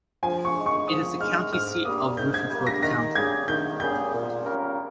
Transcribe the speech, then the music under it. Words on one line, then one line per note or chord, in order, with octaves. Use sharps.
It is the county seat of Rutherford County.
F3 G#5
C#6
G#3 D#4
C#6
F3 D#6
G#3 D#4 F6
G#2 F6
G3 A#3 D#6
G#2 G6
G#6
G3 A#3
A#6
D#3 A#6
G3 A#3 C#4 G#4 G#6
D#3 G6
G3 A#3 C#4 G#4 G6
A#2
G3 C#4 F4 A#4